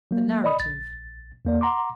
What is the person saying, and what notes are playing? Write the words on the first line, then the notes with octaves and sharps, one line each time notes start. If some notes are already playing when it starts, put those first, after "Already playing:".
The Narrative.
F#3 A#3
D5 D#5 B5 D#6
A#1 A6
E2 A#3 D5
F#5 A#5 C6 D6